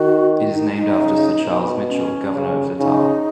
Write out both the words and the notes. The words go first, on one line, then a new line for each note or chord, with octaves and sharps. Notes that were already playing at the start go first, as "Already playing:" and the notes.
It is named after Sir Charles Mitchell, governor of Natal.
Already playing: D#3 F#4
D#4
D#4
C#3
B2
C#4
C#3
C#3 D#4